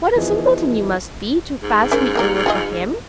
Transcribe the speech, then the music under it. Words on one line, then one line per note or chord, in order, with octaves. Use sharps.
What a simpleton you must be, to pass me over for him!
E3 F3 B3 D#4 G#4
G#2
C#4 A#4 C5
A#3 F4 A#4
F4 G#4 D#5